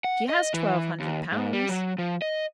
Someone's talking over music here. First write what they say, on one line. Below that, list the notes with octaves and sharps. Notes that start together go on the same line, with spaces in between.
"She has twelve hundred pounds."
F#5
D#5
E3
D#2
G#2
G3
F#3
F3
D#5